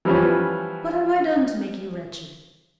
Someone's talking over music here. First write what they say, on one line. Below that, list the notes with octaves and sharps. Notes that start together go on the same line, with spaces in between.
"What have I done to make you wretched?"
E3 F3 G3 B3 C#4